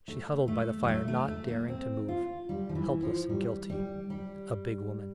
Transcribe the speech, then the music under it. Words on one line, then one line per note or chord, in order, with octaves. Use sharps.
She huddled by the fire not daring to move, helpless and guilty, a big woman.
A3
A3
G3
A3
A3
A3
A#3
C4
F4
G3
F3
E3
F3
G3
G3
G3